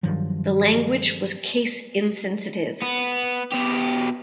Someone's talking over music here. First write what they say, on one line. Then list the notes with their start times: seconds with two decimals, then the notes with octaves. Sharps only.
The language was case insensitive.
0.03 G2 D#3 F3 F#3
2.83 B3
3.52 B2 G4